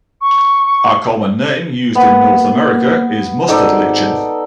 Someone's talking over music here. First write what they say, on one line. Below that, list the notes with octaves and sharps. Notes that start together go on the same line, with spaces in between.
A common name used in North America is "mustard lichen".
C#6
A#3 B3
G#1 D#4 A4 D5